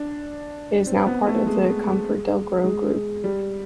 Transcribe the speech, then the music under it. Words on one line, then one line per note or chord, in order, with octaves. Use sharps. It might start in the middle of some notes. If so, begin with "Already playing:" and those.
It is now part of the ComfortDelGro group.
Already playing: D4
C4
B3
A3
G#3
G#3
G3